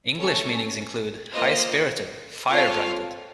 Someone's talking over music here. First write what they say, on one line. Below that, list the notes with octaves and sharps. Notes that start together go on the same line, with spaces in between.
English meanings include: high-spirited, firebranded.
A3 C#4 A4 C#5
A#3 F4 C5 D#5
C4 F4 A4 C#5 F5